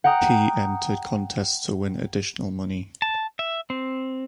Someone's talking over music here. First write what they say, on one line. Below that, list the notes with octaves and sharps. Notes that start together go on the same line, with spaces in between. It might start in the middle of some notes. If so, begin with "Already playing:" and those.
He entered contests to win additional money.
F#5 G5 A#5 D#6
A5
E5
C4